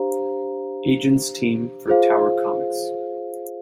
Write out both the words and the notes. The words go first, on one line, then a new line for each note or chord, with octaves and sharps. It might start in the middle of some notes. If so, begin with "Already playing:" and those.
Agents team for Tower Comics.
Already playing: D4 G4 C5 F5 A#5
F4 G#4 C5 F5